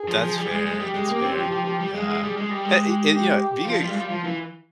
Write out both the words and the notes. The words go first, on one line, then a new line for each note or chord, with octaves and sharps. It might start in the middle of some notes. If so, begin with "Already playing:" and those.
That's fair. That's fair. Yeah, and and you know, being a
Already playing: G#4
F3
F3
G3
G#3
G#3
G3 G4
G#3
A#3
C4
F3
F3
F3
G3
G#3 G#4
G#3
G3
G#3
G3 G4
G#3
G4
F3 F4
G3
G#3
G3
F3
E3